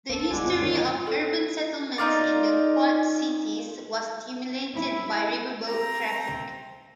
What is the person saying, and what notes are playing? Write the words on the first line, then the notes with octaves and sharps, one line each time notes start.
The history of urban settlements in the Quad Cities was stimulated by riverboat traffic.
A#3 D4 D#4 A4
D3 G3 G#3 B3 G#5
F#2 C4
B1 D#3 C#4
A4
D#4 F4 D5
E4
C4 A#5